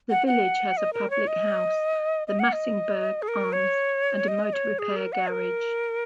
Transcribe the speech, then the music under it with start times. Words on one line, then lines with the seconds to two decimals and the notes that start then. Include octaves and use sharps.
The village has a public house, the Massingberd Arms, and a motor repair garage.
0.10 F#5
0.27 F#5
0.77 D#5
0.93 A#4
1.10 C#5
1.27 D#5
2.27 D#5
2.39 F#5
2.53 D#5
3.22 G#4
3.28 A#4
3.53 C#5
4.28 D#5
4.53 C#5
4.79 G#4
4.96 A#4
5.13 F#5
5.29 A#4